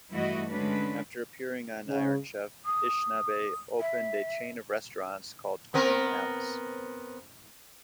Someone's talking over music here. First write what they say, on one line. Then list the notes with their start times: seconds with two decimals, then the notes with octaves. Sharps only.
After appearing on Iron Chef, Ishinabe opened a chain of restaurants called "Queen Alice".
0.12 G2 E3 A3 E4 F#4 D#5
0.49 D3 G#3 C#4 D4 B4
1.88 C#3
2.66 D#6
3.80 E5
5.74 B3 C4 A#4